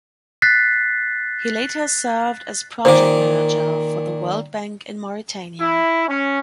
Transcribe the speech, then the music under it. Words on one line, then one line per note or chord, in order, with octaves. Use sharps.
He later served as project manager for the World Bank in Mauritania.
F#6 A6 B6 C7
A#2 D#3 C5 D6
E4
C#4